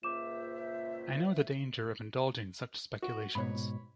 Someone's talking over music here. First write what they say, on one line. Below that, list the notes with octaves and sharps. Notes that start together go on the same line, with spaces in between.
I know the danger of indulging such speculations.
C#2 A#2 C5 E5 D6 E7
F#4
G#2 B2 C#5 B5